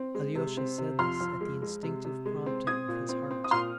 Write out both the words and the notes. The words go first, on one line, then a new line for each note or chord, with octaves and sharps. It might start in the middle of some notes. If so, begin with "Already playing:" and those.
Alyosha said this at the instinctive prompting of his heart.
Already playing: C4
G#3
C3
C4
C3
F2 C6 F6
F2
G#3
G#3
C3
C3
G#3
C4
C4 D#6 G#6
A#2
C4
C4
D#6
A#2 C6 F6